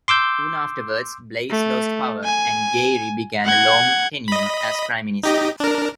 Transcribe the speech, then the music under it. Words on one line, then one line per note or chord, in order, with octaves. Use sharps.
Soon afterwards, Blaize lost power and Gairy began a long tenure as Prime Minister.
C6 D6 E6 G6
A3
G#5
F#5 G#6
D#5 B5
D#4 G4 D#5
D4 A#4